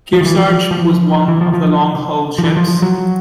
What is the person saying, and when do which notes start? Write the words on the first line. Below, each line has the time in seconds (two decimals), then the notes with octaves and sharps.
"Kearsarge" was one of the "long-hull" ships.
0.13 F3
0.21 D#3
0.26 E3
0.38 F3
0.71 F3
1.28 E3
1.41 F3
1.53 F3
2.38 F3
2.44 E3
2.57 F3
2.68 F3
2.82 F#3